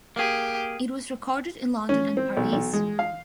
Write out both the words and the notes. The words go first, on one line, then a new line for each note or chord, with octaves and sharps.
It was recorded in London and Paris.
A#3 G4 G#4
C#4
C4
B1
B1
G#3
F5